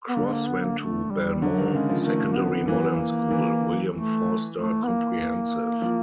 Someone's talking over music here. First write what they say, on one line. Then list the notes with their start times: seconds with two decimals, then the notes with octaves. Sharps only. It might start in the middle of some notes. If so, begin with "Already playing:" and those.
Cross went to Belmont Secondary Modern School, William Forster Comprehensive.
0.09 B3
0.17 D3 A#3
0.26 B3
0.32 A#3
0.48 B3
0.64 A#3
0.79 A3
1.11 G3
1.42 D3 F#3
1.58 D#3
1.73 C#3 G#3
1.89 F3
2.01 G#3
2.05 D#3 A3
2.32 A#3
2.36 B3
2.68 E3 A#3
2.82 B3
2.95 A#3
3.31 E3
3.93 A3
4.56 A3
4.83 B3
4.88 A#3
5.82 F3